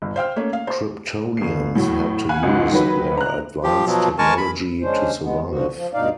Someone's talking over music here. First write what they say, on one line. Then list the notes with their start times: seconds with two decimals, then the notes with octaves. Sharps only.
Kryptonians had to use their advanced technology to survive.
0.02 G1
0.16 C5 F5 G5 F6
0.36 A3 A#3 C#4
0.53 F5
0.67 C5
1.37 G1 C7
1.75 A2 F#3
2.29 F5 F#5 G#5 B5 F#6
2.43 C#2 G#2
2.72 D#3 F#3 B4
3.17 A#5 F#6
3.64 F3 G4
3.86 B2 F3 F#3
4.19 G#3 A#4 G#5 A5 C#6
4.38 B5
4.82 G#3 C#4 D4 C5
5.23 G#3 B3
5.50 D3 F3 F#4
5.75 F3
5.94 D2 G2 B2 D#4 D5 F5